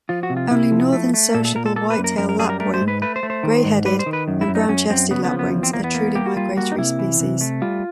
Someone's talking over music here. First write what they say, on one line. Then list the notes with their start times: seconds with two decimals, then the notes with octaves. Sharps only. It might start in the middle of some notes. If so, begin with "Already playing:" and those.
Only northern, sociable, white-tailed lapwing, grey-headed and brown-chested lapwings are truly migratory species.
0.09 F3 F4
0.23 F#4
0.30 C3
0.37 F4
0.51 C3 E4
0.72 F3
0.93 A3
1.14 A3
1.34 A#2 A4
1.45 A4
1.55 A#2 A#4
1.66 A4
1.76 A#3 A4
1.90 B4
1.98 F#2
2.04 A#4
2.18 F#2 A#4
2.29 A#4
2.39 G3 G#4
2.50 A#4
2.60 A3 A#4
2.74 C5
2.81 G#2
2.88 B4
3.02 A3 B4
3.16 C5
3.23 A3
3.30 C5
3.43 D#3
3.64 G#2
3.85 G3 B4
3.99 C5
4.06 D#3
4.13 B4
4.28 F#2
4.41 E4
4.48 F#2
4.55 D#4
4.69 F#2 C#4
4.90 F#2 C4
5.11 C#3 B3
5.25 B3
5.32 F3
5.39 B3
5.53 E2
5.63 C4
5.73 E2 A#3
5.84 B3
5.94 A#3
6.15 A#3 G4
6.26 F#4
6.36 G3 F4
6.57 A#3 F#4
6.72 D#4
6.78 C3 E4
6.99 E3
7.20 C3
7.41 A3
7.62 G3 F4